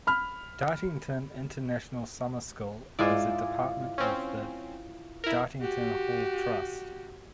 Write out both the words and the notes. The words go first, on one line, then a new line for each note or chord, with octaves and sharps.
Dartington International Summer School is a department of The Dartington Hall Trust.
B5 F6
G#2 G#3 E4 F4 D5
C4 C#4
E4 A#4
F#4 G4